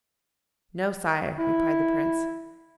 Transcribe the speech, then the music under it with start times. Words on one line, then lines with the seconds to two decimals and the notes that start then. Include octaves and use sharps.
'No, sire,' replied the Prince.
1.38 E4